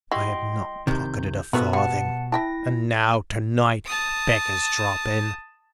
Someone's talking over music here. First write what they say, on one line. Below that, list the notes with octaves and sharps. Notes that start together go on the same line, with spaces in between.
I have not pocketed a farthing; and now, to-night, beggars drop in.
G3 E4 F#4 D#5 G5 C6
C2 C3 D#3 G6
B2 F3 A3 B3 E4 F#4
G3 F#5 A5
E4 E5 G5 A5 A#6
A5 D#6